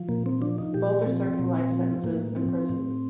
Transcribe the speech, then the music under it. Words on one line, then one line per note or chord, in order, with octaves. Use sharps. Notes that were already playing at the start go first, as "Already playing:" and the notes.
Both are serving life sentences in prison.
Already playing: F3
A#2 A#3
C4
F3 D4
D#4
A#2 G4
F3 C4
A#2
F3
A2 A#3
F3 C4
A2